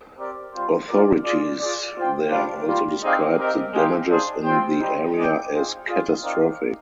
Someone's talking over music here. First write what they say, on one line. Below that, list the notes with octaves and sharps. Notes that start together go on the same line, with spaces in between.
Authorities there also described the damages in the area as "catastrophic".
C4 G4 A#4 D5
G3 C4 F4 C5
F4 A#4 D5
F4 G#4 D5
F4 G#4 D5
F4 C5 G5
G3 D4 F4 C5 F5
G3 A#3 F4
C4 D#4 G#4 D5 F5
C4 G4 A#4 D#5 G5
G#3 D#4 G4 C5 F5
D4 G#4 C5
C4 F4 C5 G5
G3 C4 D#4 G4
G#3 D#4 G#4 D5 G5
G#3 C4 F4 G#4
F4 G#4 D5 F5
C4 D#4 A#4 D5 F5